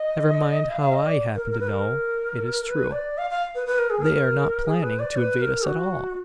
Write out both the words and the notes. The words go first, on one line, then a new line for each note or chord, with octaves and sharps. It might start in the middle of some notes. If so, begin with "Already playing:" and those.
Never mind how I happen to know; it is true; they are not planning to invade us at all!
Already playing: D#5
F5
F5
D#5
D5
A#4
A#4
B4
A#4
B4
D5
F5
F5
B4
B4
A#4
G#4
A#4
G#4
B4
D5
B4
A#4
F#4